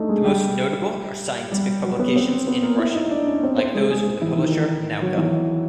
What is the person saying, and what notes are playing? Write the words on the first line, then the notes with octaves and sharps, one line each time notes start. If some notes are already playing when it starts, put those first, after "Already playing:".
The most notable are scientific publications in Russian, like those from the publisher Nauka.
Already playing: A3 D4 D#4 A4 D5 D#5
G#3 G#4
G3 G4
G3 G4
F#3 F#4
B3 B4
C4 C5
B3 B4
A#3 A#4
E4 E5
D#4 D#5
D4 D5
C#4 C#5
C4 C5
C4 C5
G#3 G#4
G#3 G#4
E3 E4
D#3 D#4
F#3 F#4
E3 E4